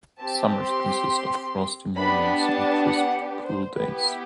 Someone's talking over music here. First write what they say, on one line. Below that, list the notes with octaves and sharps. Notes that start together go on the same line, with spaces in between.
Summers consist of frosty mornings and crisp, cool days.
C4 G4 A5
C6
B3 D4 G4 B5
A5
F#5
C5
B3 E4 G4 B4